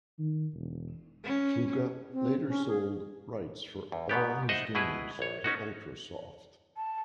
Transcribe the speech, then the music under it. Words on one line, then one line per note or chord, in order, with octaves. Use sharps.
Fuka later sold rights for all his games to Ultrasoft.
D#3
E1
C#4
C4
C#4
G#4
E2
G#2 B2 B3 G4
D#4 C5 D#5 E5 F#5
B2 E4 G#4 B4
A#1 C#5
C#4 D#4 F#4
A5